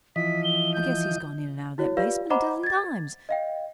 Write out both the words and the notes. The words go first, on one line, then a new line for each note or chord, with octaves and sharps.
I guess he's gone in and out of that basement a dozen times.
E3 F3 D#5 B6
G7
G6
E4 F#4 C#5
F4 G4 B4 D5 F5
C5 D#5 F#5 A#5 B5 D6
G#6 A6
D#5 F5 G5